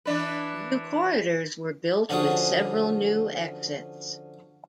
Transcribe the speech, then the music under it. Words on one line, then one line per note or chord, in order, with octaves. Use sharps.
New corridors were built, with several new exits.
E3 D4 B4
D3 F3 C#4 F#4 G#4